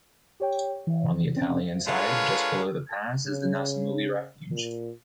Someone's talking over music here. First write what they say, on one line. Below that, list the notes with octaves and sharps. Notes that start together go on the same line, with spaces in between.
On the Italian side, just below the pass, is the Nacamuli refuge.
G4 C#5 G5
E3
C4 C#4
D3 G#3 F4 A#4 B4 C#5
C#3
A#2